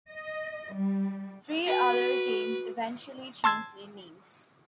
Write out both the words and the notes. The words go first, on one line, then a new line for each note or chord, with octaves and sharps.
Three other teams eventually changed their names.
D#5
G3
F#4 B4
A5 C6 E6 G#6